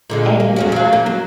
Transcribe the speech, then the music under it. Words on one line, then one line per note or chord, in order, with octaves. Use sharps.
And you find
A#2 D3 G#3
A#3
E2 C#4 F#4
F#3 F5
A#3
F#3